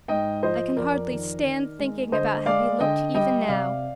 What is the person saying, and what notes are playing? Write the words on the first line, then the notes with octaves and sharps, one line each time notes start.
I can hardly stand thinking about how he looked even now.
G#2 D#5 G5
F3 C5 D#5
F2 A#4 D5
D#3
D#3
G#3
D3 C5 D#5
G#3 D5 F5
D3 D#5 G5
G3 D#5 G5
D#5
C3 D5 F5